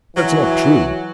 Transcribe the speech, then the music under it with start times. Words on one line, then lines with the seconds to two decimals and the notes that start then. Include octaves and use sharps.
That's not true.
0.16 E3 F#3